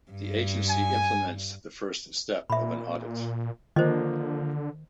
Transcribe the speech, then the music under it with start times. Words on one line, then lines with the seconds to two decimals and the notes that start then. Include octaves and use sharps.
The agency implements the first step of an audit.
0.11 G2
0.69 G#5
2.50 A#2 E5 B5
3.76 D3 D#3 F3 A#3 C5 D#5